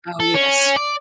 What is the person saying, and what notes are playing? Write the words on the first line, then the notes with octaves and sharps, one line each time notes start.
Oh, yes.
A4
C#4
D5